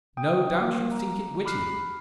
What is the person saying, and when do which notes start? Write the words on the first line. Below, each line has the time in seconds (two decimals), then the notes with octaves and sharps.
No doubt you think it witty!
0.17 G5 D#6
0.61 A#3 D6
0.92 A#5
1.45 B5 D6 F6 F#6 C7